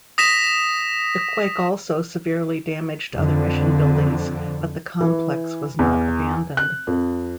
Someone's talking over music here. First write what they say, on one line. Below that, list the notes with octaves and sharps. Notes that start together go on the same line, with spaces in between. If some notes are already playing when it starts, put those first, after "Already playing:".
The quake also severely damaged other mission buildings, but the complex was not abandoned.
D#6 A#6 B6 E7
F2 D3
E3
E2
F#6
F2